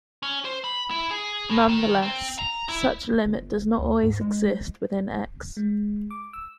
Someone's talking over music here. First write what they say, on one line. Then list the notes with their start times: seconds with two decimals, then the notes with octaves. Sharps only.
Nonetheless, such a limit does not always exist within "X".
0.23 C#4
0.45 C5
0.64 B5
0.91 E4
1.11 G#4
1.49 A2
1.69 D#3
2.02 C4
2.39 A#5
2.69 E4
3.25 G1
3.78 D2
4.03 G#2
4.21 G#3
5.57 G#3
6.11 D6
6.33 E6